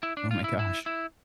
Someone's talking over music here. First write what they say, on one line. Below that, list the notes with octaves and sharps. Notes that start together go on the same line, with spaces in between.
Oh my gosh.
E4
D4
F4
E4
E4
E4